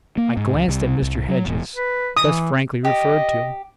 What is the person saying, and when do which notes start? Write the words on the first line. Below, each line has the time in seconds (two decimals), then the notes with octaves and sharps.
I glanced at Mr. Hedges, thus frankly referred to.
0.17 A#3
0.37 G#2
0.54 C#2
0.68 C2
1.02 C2
1.28 F#3
1.46 E1
1.76 B4
2.17 E3 D#6
2.85 G4 D#5